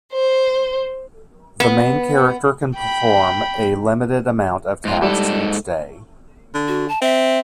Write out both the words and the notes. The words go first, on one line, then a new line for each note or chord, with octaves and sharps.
The main character can perform a limited amount of tasks each day.
C5
B3
G5 B5
G#2 F4
G#2 G3 A4
D3
F#4
A5
C4 E5